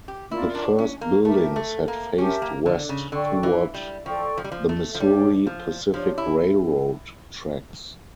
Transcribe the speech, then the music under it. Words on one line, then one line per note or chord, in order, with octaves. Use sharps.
The first buildings had faced west toward the Missouri Pacific Railroad tracks.
G4
E4 F4 A#4 D5
D4
C#4
A#3
A3 G4 A#4 E5 A5
A3
A#3
C#4 G4 A#4 E5 A5
A#3
D3
C#3
D3 A4 D5 G5 C#6
E3
G3
F3 A4 D5 G5 C#6
F3
G3
F3
A3
F3
G3 D4 G4 C#5
F3
F3 D4 G4 C#5
E4